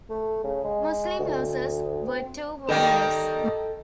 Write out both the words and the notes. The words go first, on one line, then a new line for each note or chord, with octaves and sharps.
Muslim losses were two warriors.
A3
C#3
G#3
D2
C4
D#3 G3 A#3 A4 D#5 G5